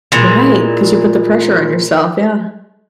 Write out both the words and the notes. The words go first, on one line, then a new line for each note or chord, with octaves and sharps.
Right, 'cause you put the pressure on yourself, yeah.
A#2 E3 G#3